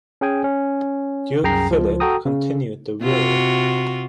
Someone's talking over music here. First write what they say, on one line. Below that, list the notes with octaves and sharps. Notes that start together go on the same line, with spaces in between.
Duke Philip continued the war.
C#4 G#4 G5 G#5
C#4
C2 F#2 G#4 G5 A#5 C7
C#2 F3
F#4 A4 G5 A#5 D#6
C#3
C3 F4 F#4